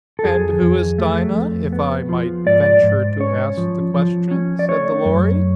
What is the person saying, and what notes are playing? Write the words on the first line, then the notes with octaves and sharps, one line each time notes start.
'And who is Dinah, if I might venture to ask the question?' said the Lory.
A4
F2 G#4
F2
A3
F2
B3
F3
G#2 D5
G#2
C#4 C#5
F3
F3
C#4
D5
A3 C#5
F#2